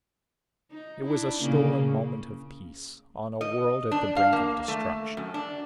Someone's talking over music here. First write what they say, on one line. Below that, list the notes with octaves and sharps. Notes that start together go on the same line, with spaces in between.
It was a stolen moment of peace on a world at the brink of destruction.
D#4
D4 E4
A#2 C#3 A#3
D#5
D4
F5
A#3
A3
F#2
D4